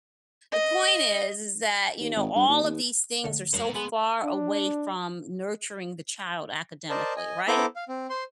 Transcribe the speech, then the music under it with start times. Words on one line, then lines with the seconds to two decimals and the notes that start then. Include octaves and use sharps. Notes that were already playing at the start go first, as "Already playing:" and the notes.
The point is, is that, you know, all of these things are so far away from nurturing the child academically, right?
0.52 D#5
1.99 D#2
2.15 G#1
2.35 G2
2.49 D#2
2.63 D#2
3.24 D3 A3
3.54 F#2 G#3 C5
3.74 G#3 B3
4.24 D4
6.90 A#4 C5 D5 D#5 A5
7.17 D#5 G#5
7.48 B3 E4 A4 C5 A#5 D6
7.76 F5
7.89 C4
8.10 C5 C6